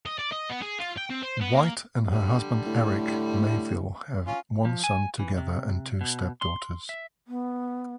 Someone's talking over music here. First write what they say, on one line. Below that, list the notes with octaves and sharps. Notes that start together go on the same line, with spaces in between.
White and her husband Erik Mayville have one son together and two stepdaughters.
D#5
D5
D#5
B3
G#4
F4
G5
C4
C5
B3
A#3
D3 G3
A2
C#4 F4
F3
G#5
E3
C3
B2
C6
E5
B3